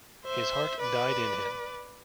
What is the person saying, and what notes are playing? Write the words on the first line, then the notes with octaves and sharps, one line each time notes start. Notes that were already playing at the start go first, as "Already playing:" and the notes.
His heart died in him.
C5 E5
B4 D5